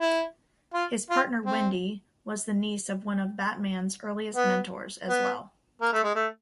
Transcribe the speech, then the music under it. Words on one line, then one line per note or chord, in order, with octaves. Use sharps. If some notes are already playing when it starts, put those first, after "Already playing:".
His partner Wendy was the niece of one of Batman's earliest mentors as well.
E4
F4
F4
C4
B3
B3
A#3
A3
G#3
A3